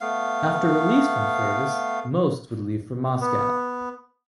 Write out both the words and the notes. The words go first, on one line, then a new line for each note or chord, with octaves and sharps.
After release from service, most would leave for Moscow.
A3 B3 F5
B3